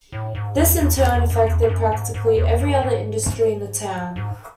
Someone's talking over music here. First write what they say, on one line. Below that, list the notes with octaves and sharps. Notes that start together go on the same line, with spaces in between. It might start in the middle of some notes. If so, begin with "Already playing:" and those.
This in turn affected practically every other industry in the town.
A2
G#2
E2
E2
E2
E2
F#2
E2
G#2
F#2
G#2
G#2
E2
F#2
G#2
G#2